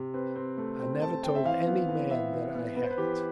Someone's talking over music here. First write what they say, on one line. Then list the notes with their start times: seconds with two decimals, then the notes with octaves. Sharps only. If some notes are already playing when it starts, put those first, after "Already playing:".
"I never told any man that I had it."
Already playing: C3
0.14 C4 B4
0.36 C4
0.58 A3
0.79 C4
1.01 A3 A5
1.23 C4 G5
1.35 E5
1.45 E3 F5
1.67 B3
1.89 E3
2.11 B3 E5
2.32 E3
2.55 B3
2.76 B3 B4
2.84 C5
2.91 B4
2.98 E3 G4